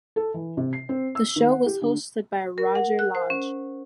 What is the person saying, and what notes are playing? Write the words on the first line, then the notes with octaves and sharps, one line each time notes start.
The show was hosted by Roger Lodge.
A4
E3
C3
C7
C4
E6
D#3
F#5
G4
D3
A#4
F#5
F#6
C5
C#4